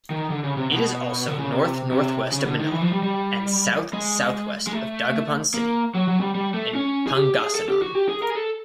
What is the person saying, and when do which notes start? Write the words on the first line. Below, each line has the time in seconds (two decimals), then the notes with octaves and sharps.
It is also north-north-west of Manila, and south-south-west of Dagupan City in Pangasinan.
0.10 D#3
0.30 D3
0.44 C#3
0.57 C3
0.71 B2
1.27 D3
1.39 C#3
1.51 C3
1.92 C3
2.32 C#3
2.46 D3
2.59 D#3
2.72 E3
2.82 F3
2.93 G3
3.03 G3
3.93 G#3
4.67 G#3
4.73 A3
5.54 A#3
5.95 F#3
6.08 F#3
6.20 G3
6.35 G3
6.54 A3
6.75 C#4
7.07 G#4
7.15 G4
7.35 G#4
7.55 A4
7.69 G4
7.82 F#4
7.95 G4
8.09 G#4
8.22 A#4
8.30 G#4
8.35 A4